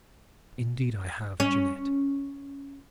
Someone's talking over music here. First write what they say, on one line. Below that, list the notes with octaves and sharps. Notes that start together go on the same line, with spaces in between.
"Indeed I have, Jeannette."
C#4